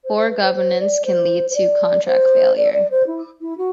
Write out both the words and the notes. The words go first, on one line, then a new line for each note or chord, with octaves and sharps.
Poor governance can lead to contract failure.
C5
C5
B4
C5
C5
D5
C5
C5
D5
C5
D5
D5
C5
E4
E4
F#4